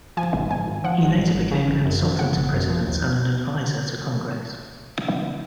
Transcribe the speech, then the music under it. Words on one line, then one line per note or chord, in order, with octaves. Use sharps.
He later became a consultant to presidents and an adviser to Congress.
F3 G#5
G#1
G#2 G#5
G#1
F3 F#5
G#1
G#2
G#1
C#3
G#1
F#2
F3
C#3 F#5
G#1
F#2
F3
D#2